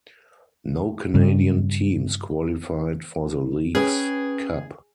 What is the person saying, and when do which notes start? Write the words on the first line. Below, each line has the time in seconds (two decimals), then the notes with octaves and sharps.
No Canadian teams qualified for the Leagues Cup.
1.14 G2 C#3
3.75 C#4 G#4 B4 G5